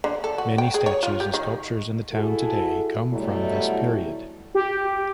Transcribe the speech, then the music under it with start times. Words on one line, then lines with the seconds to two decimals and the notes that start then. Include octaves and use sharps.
Many statues and sculptures in the town today come from this period.
0.04 D3
0.24 A4
0.38 F#4
0.58 G5
0.74 G#4
0.86 C#5
1.03 F4
1.20 G4
1.34 D#3
2.13 E4 F#4 G#4 A4
3.13 B2 F#3 G3 A3 E4
4.55 G4